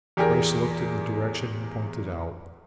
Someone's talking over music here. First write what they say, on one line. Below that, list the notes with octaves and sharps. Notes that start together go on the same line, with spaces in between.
Bryce looked in the direction pointed out.
E2 G4 G#4 A#4